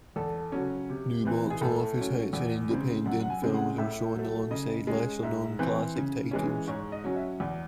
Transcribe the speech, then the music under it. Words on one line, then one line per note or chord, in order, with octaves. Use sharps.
New box-office hits and independent films are shown alongside lesser-known classic titles.
E2 A4
C#3 F#3 C#4
C3
E3 C4
G#4
A2 A4
F#3 A3 C#4
E2
C#3 G#3 C4
F#2 F#5
F#5
G#5
C#3 G#3 C4
F#5
A2 E5
F#3 A3
C#3 D#5
G#3 C#4
G#2 E5
E3 C4
C#3
E3 G#3 C#4
G#2 C#5
D#5
F#3 C#4
E5
E2